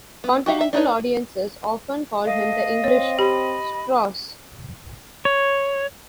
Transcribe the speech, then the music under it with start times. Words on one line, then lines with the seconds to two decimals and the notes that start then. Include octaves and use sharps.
Continental audiences often called him "The English Strauss".
0.24 B3
0.46 F#4 G4 E5 F5
0.61 E5
0.73 D4 D#4 B4 C#5
2.26 A3 D#5 F5
2.84 C4 C#5
3.19 G4 B5
5.25 C#5